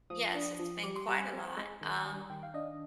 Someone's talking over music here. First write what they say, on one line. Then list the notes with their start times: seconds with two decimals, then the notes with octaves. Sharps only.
Yes, it's been quite a lot, um,
0.10 F3 D#6
0.34 D4
0.59 F3
0.83 G3 D6
0.96 C6
1.07 G3 A#5
1.20 G#5
1.32 C4
1.57 G#3
1.81 D#3
2.06 G3
2.30 D#3 G5
2.43 F5
2.54 D4 D#5